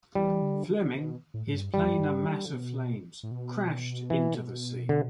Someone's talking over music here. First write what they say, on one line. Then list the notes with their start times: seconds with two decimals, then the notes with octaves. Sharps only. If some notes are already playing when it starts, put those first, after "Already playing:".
Fleming, his plane a mass of flames, crashed into the sea.
0.15 E3 G3
0.42 D3
0.68 D3
0.95 B2
1.34 A2
1.47 A2
1.54 G2
1.73 G2 G3
1.82 E2
1.89 G2
1.99 G2
2.27 D3
2.53 B2
3.23 A2
3.31 B2
4.10 E3
4.89 D3